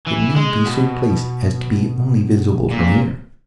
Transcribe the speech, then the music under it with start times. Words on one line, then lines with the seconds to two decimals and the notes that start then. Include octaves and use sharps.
"It may be so placed as to be only visible from here."
0.07 E3
0.36 G#3
0.66 B2
2.71 A#2